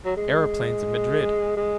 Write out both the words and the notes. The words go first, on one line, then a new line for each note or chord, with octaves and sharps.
Aeroplanes at Madrid!
F#3
G#3
G#3